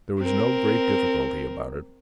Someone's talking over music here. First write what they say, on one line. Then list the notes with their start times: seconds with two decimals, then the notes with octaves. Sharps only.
There was no great difficulty about it.
0.19 C4 A#4